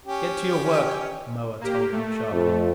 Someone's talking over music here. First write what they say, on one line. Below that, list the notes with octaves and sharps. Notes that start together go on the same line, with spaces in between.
"Get to your work," Moa told him sharply.
C#4 G4
A#3 G4
A3
F2